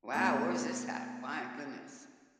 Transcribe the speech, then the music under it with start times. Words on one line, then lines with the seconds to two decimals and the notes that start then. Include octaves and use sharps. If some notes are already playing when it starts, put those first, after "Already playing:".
Wow, where's this at? My goodness.
0.14 B2 A3 D#4